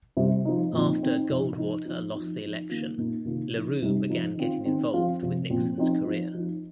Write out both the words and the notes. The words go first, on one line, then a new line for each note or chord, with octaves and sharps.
After Goldwater lost the election, LaRue began getting involved with Nixon's career.
C3 G3 C4
F3 D#4
A#2 F3 C4 D#4
D#3 C4 D#4
C3 F3 D#4
F3 D#4
F3 D#4
F3 D#4
F3 D#4
D#3 A#3 F4
A#2 A#3 D#4
C3 D#3 A#3 F4
F3 D#4
C3 G3 D#4
F3 D#4
D#3 C4 F4
D#3 C4 D#4
F3 C4 F4
C3 F3 C4
A#2 F3 C4
F3 C4 D#4
F3 D#4
F3 D#4